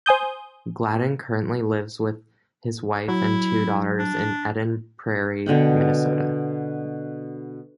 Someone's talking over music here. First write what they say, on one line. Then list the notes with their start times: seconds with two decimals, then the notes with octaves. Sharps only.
Gladden currently lives with his wife and two daughters in Eden Prairie, Minnesota.
0.06 C5 G#5 D#6 G6
3.08 F#3 E4
3.99 D4
5.46 B2 D3 F#5 G5